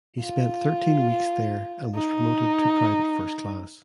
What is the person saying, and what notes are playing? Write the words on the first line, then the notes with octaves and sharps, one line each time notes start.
He spent thirteen weeks there and was promoted to Private First Class.
F4
D#4